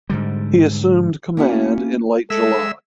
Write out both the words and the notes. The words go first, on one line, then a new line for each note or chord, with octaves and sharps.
He assumed command in late July.
G#2 D3 G3
A#3 B3 C#4 D#4 E4 F#4
G#3 A4 E5 E6